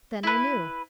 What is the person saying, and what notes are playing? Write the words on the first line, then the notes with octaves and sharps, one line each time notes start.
Then I knew.
E4 B4